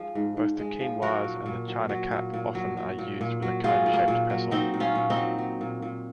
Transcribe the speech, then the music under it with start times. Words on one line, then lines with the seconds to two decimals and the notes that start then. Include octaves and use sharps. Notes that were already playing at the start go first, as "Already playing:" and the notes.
Both the chinois and the China cap often are used with a cone-shaped pestle.
Already playing: F3 G#3
0.15 G#2
0.37 G#2
0.59 G#3
0.81 F3
1.02 F#3 F#4 A#4
1.24 A#2
1.46 A#2
1.68 F#3
1.89 F#3
2.11 A#2
2.34 A#2
2.55 F#3
2.77 F#3
2.99 A#2
3.21 A#2
3.42 F#3
3.64 F#3 F4 G#4
3.86 A#2
3.93 A#3
4.08 A#2
4.30 F#3
4.51 F#3 C4 D#4
4.74 A#2
4.80 C#4 F4
4.95 A#2
5.10 C4 D#4
5.17 F#3
5.38 F#3
5.61 A#2
5.82 A#2